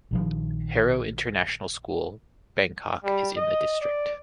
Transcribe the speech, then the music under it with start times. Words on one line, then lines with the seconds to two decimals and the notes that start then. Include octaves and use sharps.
Harrow International School, Bangkok is in the district.
0.11 A#1 D#3 F3
3.04 G3
3.36 D#5
3.81 D5